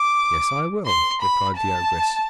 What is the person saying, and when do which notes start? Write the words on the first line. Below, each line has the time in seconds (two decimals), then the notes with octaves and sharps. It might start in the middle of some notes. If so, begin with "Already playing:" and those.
'Yes, I will,' replied the ogress.
Already playing: D6
0.86 C6
1.21 B5
1.57 A5